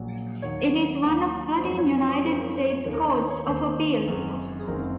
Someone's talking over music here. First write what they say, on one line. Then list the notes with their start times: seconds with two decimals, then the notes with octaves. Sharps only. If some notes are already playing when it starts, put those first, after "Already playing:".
It is one of thirteen United States courts of appeals.
Already playing: A#1 A#2 F#3
0.42 D#2 D#3 F#3 C#5
1.03 D#2 D#3 F#3
1.58 C5
1.64 F#2 F3 G#3 C4 C#5
1.78 C#5
1.98 C#5
2.09 C5
2.19 C#5
2.25 F#2 F3 G#3 C4 C5
2.36 C5
2.40 A#4
2.55 C5
2.70 C#5
2.85 D#2 D#3 A#3 C#5
2.93 A#4
3.00 C5
3.09 C#5
3.15 C5
3.30 C#5
3.46 D#2 D#3 A#3 C5
4.07 F#1 F#2 D#3 G#3 C4
4.59 G#4
4.67 F#1 F#2 D#3 G#3 C4 A#4